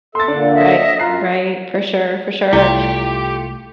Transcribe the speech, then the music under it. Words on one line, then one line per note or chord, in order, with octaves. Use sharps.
Right, right, for sure, for sure.
A4 E5 C6 A6
A#2 D3 D4
D#5 E5
F#2 F4 A#5 F#6 C7
C2 A3 E4 F4 G4 A#5